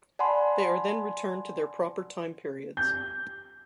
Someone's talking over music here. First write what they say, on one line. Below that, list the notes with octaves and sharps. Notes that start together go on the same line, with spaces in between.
They are then returned to their proper time periods.
D5 F#5 G#5 A5 B5 C6
G6